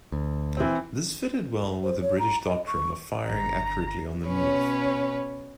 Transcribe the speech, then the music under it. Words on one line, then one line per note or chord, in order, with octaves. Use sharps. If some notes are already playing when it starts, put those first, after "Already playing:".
This fitted well with the British doctrine of firing accurately on the move.
D2
E3 C4
C5
C#5
A#5
D#5
C#6
G1 A#5
B2 C#4 B4 C#5